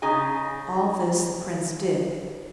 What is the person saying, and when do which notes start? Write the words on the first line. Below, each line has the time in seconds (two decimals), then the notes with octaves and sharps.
All this the Prince did.
0.02 C#3 D#4 G#4 G#5